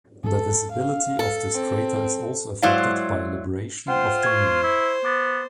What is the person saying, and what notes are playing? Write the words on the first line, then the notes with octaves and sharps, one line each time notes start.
The visibility of this crater is also affected by libration of the Moon.
A4
F5
A4
C4
F#3 G#3 E4 C5 D5 F5
F4 C5 F#5 G5
C#6 G#6
E4
B3 D6 A6